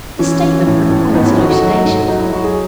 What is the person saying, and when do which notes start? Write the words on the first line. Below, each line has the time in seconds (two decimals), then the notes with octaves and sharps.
This statement requires elucidation.
0.19 E3 C#4
0.43 E3
0.67 A2
0.90 A2
1.14 G#2 B3 D#4
1.25 C#4 E4
1.37 D#3 D#4 F#4
1.49 F#4 A4
1.62 F#3
1.85 G#2
2.08 F#3 D#4
2.20 E4
2.32 F#3 F#4
2.44 G#4